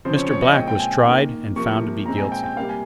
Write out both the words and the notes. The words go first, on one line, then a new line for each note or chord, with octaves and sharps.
Mr. Black was tried and found to be guilty.
C#3 F3 C4 C5
C#5
C#5
D#5
A#2 G#3 C4 G5
G5
G#5
D#3 A#3
C3 F3 A#3 C#6
A#2 G#3 C4 A#5
G#5
G5
G5
C3 G3 A#3 F5
G#5